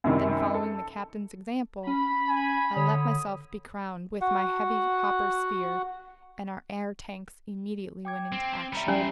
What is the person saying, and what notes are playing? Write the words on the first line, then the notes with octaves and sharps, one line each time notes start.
Then, following the captain's example, I let myself be crowned with my heavy copper sphere, and our air tanks immediately went into action.
F#2 C3 D#3 G3
A4
C#4 B5
G#5
D3 C#5 D#6
F#4 F#5
G5 D6 G#6
C4
G3 C#4 E5 A#5 B5
G3 C#4 E4 C5 G#5